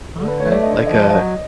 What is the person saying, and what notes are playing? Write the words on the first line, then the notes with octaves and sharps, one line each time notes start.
Okay, like a
D3
B4
A3 C#5
D5
D3 D#5
F3 D#5
F#3 D#5